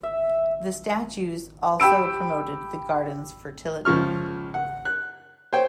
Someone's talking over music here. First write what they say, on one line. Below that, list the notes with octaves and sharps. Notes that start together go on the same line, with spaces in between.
The statues also promoted the gardens' fertility.
E5
G4 G5 B5 E6 D7
C#2 F3 C#6 F6
F#5
F#6
C5 C#5 G5